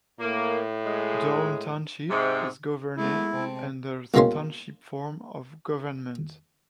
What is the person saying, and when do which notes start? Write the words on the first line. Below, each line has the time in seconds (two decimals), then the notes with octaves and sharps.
Downe Township is governed under the Township form of government.
0.20 A2 A#3
0.85 G#3
2.11 G#2 C3
2.96 G#3 A3 B3 E4
3.31 C3 C4 A5
4.14 C2 B2 G#3 A#3 C#4 C6